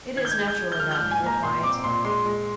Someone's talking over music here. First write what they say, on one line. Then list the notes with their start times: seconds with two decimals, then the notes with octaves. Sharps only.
"It is natural enough," he replied.
0.17 D#3 G#6
0.25 G6
0.32 G#6
0.38 G#3
0.48 G6
0.59 G#3
0.72 G6
0.80 F3 F6
0.91 G6
0.95 F6
1.01 G#2
1.11 G#5
1.22 A#3 A#5
1.43 A#2 C6
1.63 C4 D6
1.84 A#2 C6
2.04 G#3 C6
2.25 G#3